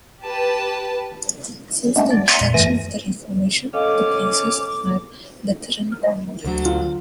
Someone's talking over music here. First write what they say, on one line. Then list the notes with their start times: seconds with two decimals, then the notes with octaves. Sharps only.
Since the introduction of the Reformation, the places are Lutheran coined.
0.24 G4 B4 A5
1.96 G#3 A3 B3 C#4 D4
2.11 D5
2.28 D5 E5 F#5 G#5 A#5 C6
2.41 F2 A#2
2.54 G2 E3 A3 G#5 A#6
3.74 C#4 A4 D#5 F5 D6
6.45 D2 D3 F#3
6.66 F4